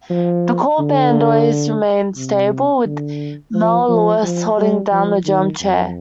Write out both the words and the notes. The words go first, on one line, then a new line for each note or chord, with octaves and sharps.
The core band always remained stable with Mel Lewis holding down the drum chair.
F3
D3
C3
D3
F3
F3
F3
G3
F3
D#3
F2